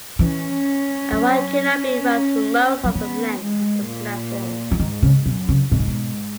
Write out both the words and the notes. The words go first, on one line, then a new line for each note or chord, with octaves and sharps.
A wide canopy runs for most of the length of the platform.
E3 C#4
F#3
F#3
E3 B3
G#3
A#2
E3
G#2 D#3
C#3
F#2 B2
C#3
G#2 B2
A#2
B2